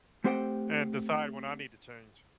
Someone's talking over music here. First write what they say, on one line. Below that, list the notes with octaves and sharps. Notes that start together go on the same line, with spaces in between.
and decide when I need to change.
A3 C4 G4 C5 F#5 G5